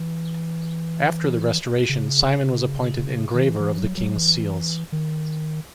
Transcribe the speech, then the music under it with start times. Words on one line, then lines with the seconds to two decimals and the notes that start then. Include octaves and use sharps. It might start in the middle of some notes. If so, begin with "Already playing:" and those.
After the Restoration Simon was appointed engraver of the king's seals.
Already playing: E3
1.89 C#3
3.34 D#3
3.41 E3
3.60 E3
3.78 F#3
3.97 F#3
4.16 E3
4.92 D#3